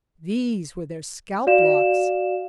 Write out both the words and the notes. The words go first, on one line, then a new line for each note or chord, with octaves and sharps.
These were their scalp locks.
F#4 D5 F5 E7